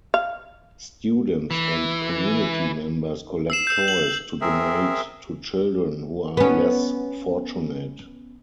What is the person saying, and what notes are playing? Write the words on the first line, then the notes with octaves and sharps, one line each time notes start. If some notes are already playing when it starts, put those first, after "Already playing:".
Students and community members collect toys to donate to children who are less fortunate.
F5
E3
E6 C7 E7
E6 G6
F#7
C4 G#4 A#4 E5
B3 C#4